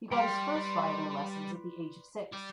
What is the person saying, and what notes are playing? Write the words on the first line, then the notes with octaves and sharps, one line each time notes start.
He got his first violin lessons at the age of six.
G3 G5 C6 F6
B4 D5 C6
G4 D5